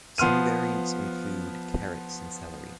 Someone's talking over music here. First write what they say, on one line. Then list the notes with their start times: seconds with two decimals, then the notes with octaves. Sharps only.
Some variants include carrots and celery.
0.18 F3 B3 C6 F6 D#7